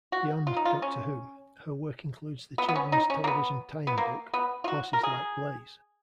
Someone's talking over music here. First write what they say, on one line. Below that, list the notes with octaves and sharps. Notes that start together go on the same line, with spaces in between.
Beyond "Doctor Who", her work includes the children's television tie-in book "Horses Like Blaze".
F#4
F4
D#4
F4
C#4
B3
B3
C#4
D#4
C#4
A#3
B3
B3
A#3
B3
F4
F#4
A#4
G#4